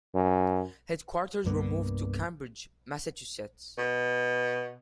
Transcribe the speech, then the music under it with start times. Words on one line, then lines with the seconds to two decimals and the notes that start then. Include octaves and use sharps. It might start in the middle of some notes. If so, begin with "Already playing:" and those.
Headquarters were moved to Cambridge, Massachusetts.
0.15 F#2
1.45 C2 G2 A#3 B3
3.78 B2